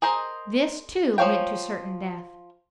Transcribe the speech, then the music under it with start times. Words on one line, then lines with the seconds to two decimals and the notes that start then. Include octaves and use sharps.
This, too, went to certain death.
0.02 G#4 A#4 C5 D#5
1.18 F3 F#4 C#5 F5 G5